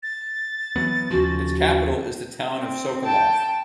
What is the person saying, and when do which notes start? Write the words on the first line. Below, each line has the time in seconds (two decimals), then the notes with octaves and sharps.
Its capital is the town of Sokolov.
0.03 A6
0.76 E3 F#3 B3
1.11 D#2 C#3 F3 F#4
2.59 C4
3.05 G5 A5